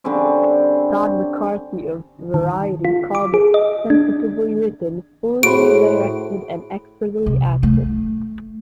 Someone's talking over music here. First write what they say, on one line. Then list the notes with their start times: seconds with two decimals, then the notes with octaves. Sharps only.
Todd McCarthy of "Variety" called it "sensitively written, fluidly directed and expertly acted".
0.04 D3 G3 C4 C#4
2.34 D#3
2.85 F4
3.15 D6
3.34 G#4
3.54 D#5
3.90 D4
5.43 A2 F#4 G#4 C5 B5 D7
7.26 C3
7.63 A3